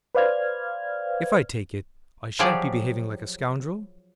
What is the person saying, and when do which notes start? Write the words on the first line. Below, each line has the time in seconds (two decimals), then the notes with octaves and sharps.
If I take it, I shan't be behaving like a scoundrel?
0.15 B4 C5 D5 F5 F6 G#6
2.39 F3 F#3 G4 G#4 D5